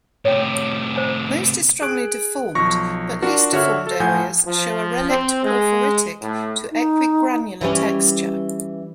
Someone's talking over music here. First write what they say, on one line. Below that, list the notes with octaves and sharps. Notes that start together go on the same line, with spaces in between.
Most is strongly deformed, but least-deformed areas show a relict porphyritic to equigranular texture.
A2 C3 C#5 G5
C5 G#5
G#4 F#6 D7
B1 F3 C#6 A#6
D4 F4 F#4 A#4
D3 F#4 C#5 E5 F6
A4 C5
A2 F3 F#5 G#5 G6
F3
C4
G#3
A2
D#4
E3 G3 C#4